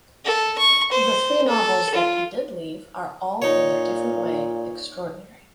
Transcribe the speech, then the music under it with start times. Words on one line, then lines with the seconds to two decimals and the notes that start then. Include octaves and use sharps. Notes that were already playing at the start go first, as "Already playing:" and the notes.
The three novels that he did leave are all in their different way extraordinary.
0.25 A4
0.58 C#6
0.92 C5
1.48 A4
1.94 F4
3.42 A#2 D#4 C#5